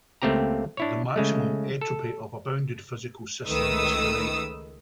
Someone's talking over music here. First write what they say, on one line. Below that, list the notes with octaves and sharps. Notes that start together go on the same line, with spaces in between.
The maximum entropy of a bounded physical system is finite.
C#2 A3 A#3 C4 G4 A#5
D4 E4 C#5
C#3 G#3 A3
A4
C#2 D#3 A3 B4 D#6 E6